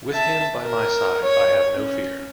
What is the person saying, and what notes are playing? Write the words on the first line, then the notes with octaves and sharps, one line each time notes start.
With him by my side I have no fear.
E5 A5
A#4
C#5
C#4